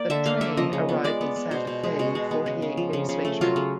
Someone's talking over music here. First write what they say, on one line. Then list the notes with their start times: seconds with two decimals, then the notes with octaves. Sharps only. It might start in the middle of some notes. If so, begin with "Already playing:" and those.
The 'train' arrived in Santa Fe forty-eight days later.
Already playing: A#3 D5
0.10 D3 E5
0.26 A#3 F5
0.41 D3 E5
0.57 F3 D#5
0.73 C#3
0.89 B3
1.04 G#3 D5
1.21 B3
1.36 B3
1.51 B2 C5
1.67 B2
1.83 G#3
1.99 B2 F#4
2.15 G#3
2.31 B3
2.46 C#3
2.62 C#3
2.77 F3
2.93 C#3
3.09 C#3
3.25 A3
3.41 F#3 F4
3.56 C#3